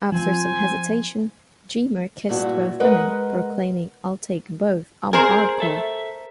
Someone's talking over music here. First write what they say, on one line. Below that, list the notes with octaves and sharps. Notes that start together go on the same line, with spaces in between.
After some hesitation, Dreamer kissed both women, proclaiming I'll take em both, I'm hardcore!
F3 C4 G#5
G2 A#2 E4 F#4
G#3 A#4 B4 D#5 F#5
G#4 A#4 C5 G#5
A4 E5